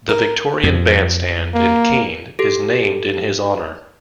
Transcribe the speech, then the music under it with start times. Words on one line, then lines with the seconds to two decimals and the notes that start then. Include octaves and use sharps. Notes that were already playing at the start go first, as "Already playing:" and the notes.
The Victorian Bandstand in Keene is named in his honor.
0.09 A#4
0.63 F2
1.54 A#3
2.39 G4 A4